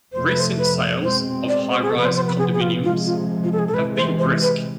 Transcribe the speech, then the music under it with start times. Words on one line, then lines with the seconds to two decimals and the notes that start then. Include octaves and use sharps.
Recent sales of high-rise condominiums have been brisk.
0.13 F2 C3 F3 A3 C5
0.26 B4
0.39 C5
0.58 B4
1.03 B2 G#3 C4 C5
1.48 D5
1.71 C5
1.82 G#4
1.90 A4
1.94 C3 F3 B3 B4
2.05 C5
2.16 C5
2.27 B4
2.38 G#4
2.53 G#4
2.61 F4
2.84 C3 F3 G#3 F4
3.06 F4
3.44 F4
3.52 A4
3.59 G#4
3.68 A4
3.74 C3 E3 G#3 B4
3.97 C5
4.19 C5
4.42 B4